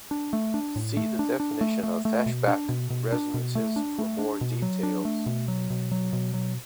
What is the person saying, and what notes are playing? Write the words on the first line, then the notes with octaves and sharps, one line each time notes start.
See the definition of Feshbach resonances for more details.
D4
A3
D4
A2
A3
D4
D4
A3
A3
A3
B2
D4
B2
B2
D4
B2
A3
D4
A3
D4
B2
F#3
D4
A3
B2
F#3
B2
F#3
B2
F#3